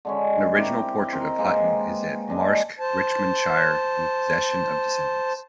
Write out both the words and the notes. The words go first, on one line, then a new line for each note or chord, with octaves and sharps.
An original portrait of Hutton is at Marske, Richmondshire, in the possession of descendants.
D3 G#3 C#4
C4 E4 G4 A#4
C4 A#4 D#5
G#3 A#3 B4 C5
G#3 D4 D#5
C5 A5